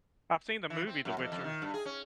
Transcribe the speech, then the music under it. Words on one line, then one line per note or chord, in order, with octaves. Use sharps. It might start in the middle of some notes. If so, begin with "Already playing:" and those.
I've seen the movie The Witcher.
E3
C4
F#2
F2
F2
D#3
G2
G#4
C#4